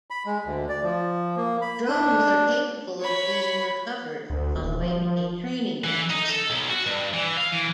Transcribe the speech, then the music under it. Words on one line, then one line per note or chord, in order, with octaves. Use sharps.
Drones are capable of being recovered following a training exercise.
B5
G#3
D2
D5
F3
A#3
B5
D4
C#5 B5
D2
D#1
F3
E3
D#4
A4
B1
F#4
G2
E3
F5
E3